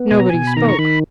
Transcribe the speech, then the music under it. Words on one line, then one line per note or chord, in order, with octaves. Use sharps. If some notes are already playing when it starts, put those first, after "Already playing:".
Nobody spoke.
Already playing: B3
B2 G#5
A#5
B2 G#5
B5
D#3 A#5
C#6
D#3 B5